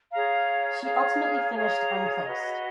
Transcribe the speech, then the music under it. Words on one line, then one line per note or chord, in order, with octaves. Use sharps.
She ultimately finished Unplaced.
G#4 C#5 F5 A#5
G#4 C#5 F5 A#5
G#4 C#5 F5 A#5
F#4 B4 D#5